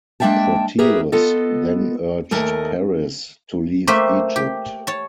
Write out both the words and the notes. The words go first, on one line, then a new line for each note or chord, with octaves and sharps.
Proteus then urged Paris to leave Egypt.
G#3 A#3 D4 E5 G5 A5
G4 G#4 A#4 B4 E5
B3 F4 A4 D#5
D#2 A3 A#4 D#5 G#5
A3 A#3 G4 C5 E5
G4
C#5 A5